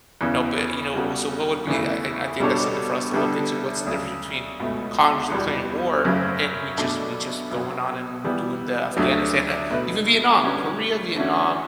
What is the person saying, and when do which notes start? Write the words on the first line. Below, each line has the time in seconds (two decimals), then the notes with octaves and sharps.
you know, but, you know so what would be I and I think that's something for us to look into. What's the difference between Congress declaring war and we just we just going on and doing the Afghanistan ah, even Vietnam, Korea, Vietnam,
0.21 E2 C#3 E3 B3
0.94 C#3 G3 B3 F#4 A4
1.67 E2 C#3 E3 A3
2.40 B2 G3 D4 A4 C#5
3.13 D3 G3 B3 E4 A4
3.86 D2 C#3 F#3
4.59 C#2 B2 A3
5.32 E2 B2 G3
6.05 F#2 C#3 F#3 A3
6.78 B2 A3 D4 A4 D5
7.51 B1 B2 F#3
8.24 E3 G3 B3
8.97 D2 D3 F#3 A3
9.70 B2 A3 E4 B4
10.43 D3 G3 C#4 F#4 B4
11.16 D3 A3 C#4 F#4